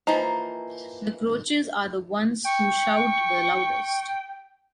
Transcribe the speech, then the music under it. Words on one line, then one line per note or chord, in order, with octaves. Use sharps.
The grouches are the ones who shout the loudest.
E3 F3 A#3 D#4
G5 C#6